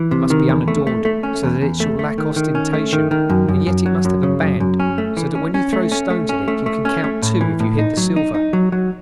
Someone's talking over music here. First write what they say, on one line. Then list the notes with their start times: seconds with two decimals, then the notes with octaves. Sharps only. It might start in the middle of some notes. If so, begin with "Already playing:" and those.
It must be unadorned, so that it shall lack ostentation, and yet it must have a band, so that when you throw stones at it you can count two if you hit the silver.
Already playing: E3
0.11 C3
0.30 D#3
0.49 E2
0.68 A3
0.87 A3
1.05 A3
1.23 C#4
1.43 E2
1.61 E2
1.80 A3
1.99 A3
2.18 D#3
2.36 D#3
2.55 C#4
2.73 A3
2.93 D#3
3.11 D#3
3.30 F#2
3.48 F#2
3.67 F#2
3.86 F#3
4.05 F#2
4.23 C#3
4.42 F#2
4.60 F#2
4.80 C#4
4.98 A3
5.17 E3
5.35 C#4
5.54 C#4
5.73 A3
5.92 C#4
6.10 A3
6.29 C#4
6.48 A3
6.66 A3
6.85 C#4
7.04 A3
7.22 A2
7.41 E3
7.60 A2
7.78 D#4
7.97 F#3
8.16 D#4
8.34 D#4
8.53 F#3
8.72 F#3